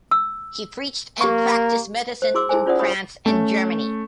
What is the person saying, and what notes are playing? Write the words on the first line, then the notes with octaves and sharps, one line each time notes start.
He preached and practiced medicine in France and Germany.
E6
A#3 G4 C#6
C5
E4 F#4 G#4 C6 D6 E6
D#4 E4 G#4 A4 C5 G#5
C#4 F4 C5 D5 F#5 D#6
G4 C5 C#5 E5 B5 D#6
A3 C#4